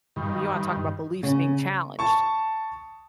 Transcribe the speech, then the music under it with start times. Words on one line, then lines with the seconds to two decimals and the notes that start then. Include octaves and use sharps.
you wanna talk about beliefs being challenged.
0.16 G2 D#3
1.23 C#3
1.99 A5 C#6